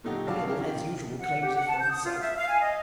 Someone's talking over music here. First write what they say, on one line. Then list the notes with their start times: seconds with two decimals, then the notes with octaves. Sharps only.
Will, as usual, claims it for himself.
0.04 A#2 D3 F#3 D#4 F#4 G4
0.27 B1 G2 D4 F5 A5 D6
0.48 C#4 E4 G4 G#4 A#4
0.60 D#3 F4 G5
1.20 F#5
1.41 G4
1.54 F#5
1.68 A5
1.81 G6
1.92 D#6
2.06 F4
2.22 E5
2.37 F5
2.49 G#5
2.60 D#5